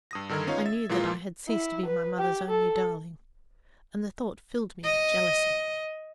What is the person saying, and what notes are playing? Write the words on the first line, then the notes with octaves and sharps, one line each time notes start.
I knew that I had ceased to be my mother's only darling, and the thought filled me with jealousy.
G2 D#6 A#6
G2 D3 D#3 A#4 G#6
B3 C#4 D#4 F4 C#5 F5
E5 A6
A#2 E3 G#3 A#3 F4 G#4
E4
B4
G4
A4
D#5